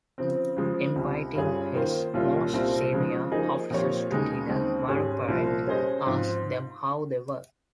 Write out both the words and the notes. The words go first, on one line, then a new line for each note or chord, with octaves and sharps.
Inviting his most senior officers to dinner, Bonaparte asked them how they were.
C#3 F3 C4
C#3 F3 G#3
C#2 C3 G3
G2 G3 C#4 F4 G#4
D#3 A#3 F4 C5
C2 A#2 G3 C#4 F4
C2 A#2 G3 C4 F4
C#3 F3 G#3 D#4
F3 A#3 D#4 G#4 D#5
A#2 F3 C4 G4 C#5
D#2 C#3 G#3 D#4 G#4
D#2 C#3 G#3 C4 D#4
G#2 G3 C#4 G#4
C2 A#2 F3
G3 C#4 G#4 C5 D#5
G#2 F3 C4 F4